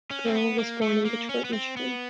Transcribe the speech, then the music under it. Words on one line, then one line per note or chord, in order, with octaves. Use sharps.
Burrell was born in Detroit, Michigan.
C#4
C4
B3
A#3
A3
A#3
C#4
B3
C4
B3